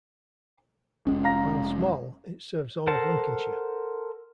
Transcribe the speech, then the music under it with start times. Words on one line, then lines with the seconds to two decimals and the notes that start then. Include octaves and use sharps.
While small, it serves all of Lincolnshire.
1.07 F1 G#3 C#4
1.24 F5 A#5 A#6
2.87 A4 A#4 C5 F#5 A5